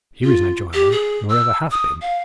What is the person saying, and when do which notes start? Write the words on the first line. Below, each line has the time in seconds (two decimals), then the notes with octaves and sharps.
Here is no Joanna, nor ever hath been.
0.23 F4
0.74 G4
0.92 G#4
1.30 E6
1.71 D#6
2.02 F5